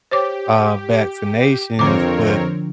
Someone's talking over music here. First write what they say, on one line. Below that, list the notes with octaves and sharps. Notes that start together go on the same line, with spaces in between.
uh, vaccinations, but
G4 C5 C#5 D6
F2 D3 F3 C4 A#4 C#5 A#5 D6